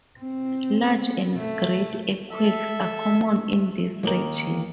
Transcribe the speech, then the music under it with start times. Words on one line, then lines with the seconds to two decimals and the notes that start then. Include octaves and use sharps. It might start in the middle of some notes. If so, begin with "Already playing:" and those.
Large and great earthquakes are common in this region.
0.19 C4
1.36 A3
2.30 A4 E5
4.03 D#2 A#4